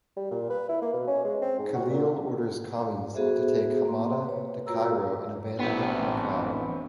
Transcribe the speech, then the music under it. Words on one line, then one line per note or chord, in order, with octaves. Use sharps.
Khalil orders Khamis to take Hamada to Cairo and abandon him in the crowd.
G3
A#2
B4
E4
A#3
B2
C#4
G#3
C4
G#2
F#4
A#2
B3 F#4 G#4 A4 C5 E5
A#3 C6
B4 C#5
A#3 F4 F#4 A#4 A#5 E6
A1 B3 C4 D4